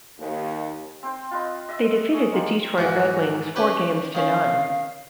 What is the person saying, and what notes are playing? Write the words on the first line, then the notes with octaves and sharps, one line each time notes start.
They defeated the Detroit Red Wings four games to none.
D#2
C4 C5 G5
F4 B4 D#5
D#5 E5 E6
G#4 C#6 D#6
D#4 F4 G4
G#2 E3 F#4
C#4 G4 B4 C#6
D#3 C#4 F5